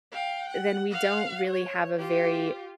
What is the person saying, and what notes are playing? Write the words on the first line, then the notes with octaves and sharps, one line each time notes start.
then we don't really have a very
F5 G5
F#5
F5 F#5
C#5
F4 G4